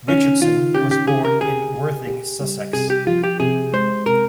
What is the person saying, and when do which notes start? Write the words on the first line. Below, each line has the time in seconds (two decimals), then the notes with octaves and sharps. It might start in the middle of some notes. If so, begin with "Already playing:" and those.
Richardson was born in Worthing, Sussex.
0.08 D#3 C#4
0.41 D#3 F4
0.74 C#4 G4
0.91 G4
1.07 G4 G#4
1.25 A#4
1.41 G4 G#4
1.74 G4
2.07 G4
2.40 G3
2.73 C3 G#4
2.90 G4
3.07 F3 F4
3.24 G4
3.40 C3 G#4
3.73 G#3 C5
4.06 C3 A#4